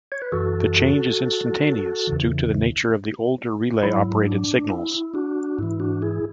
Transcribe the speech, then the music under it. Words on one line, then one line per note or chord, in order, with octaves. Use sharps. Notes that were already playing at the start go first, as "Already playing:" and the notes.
The change is instantaneous, due to the nature of the older relay operated signals.
C#5
B4
F#2 E3 F#4 A4
E2 C#3 E3
G#2 F#3 E4
E4
D4
E4
D4 F#4
G#2 E3 E4
D4 F#4
E4 G#4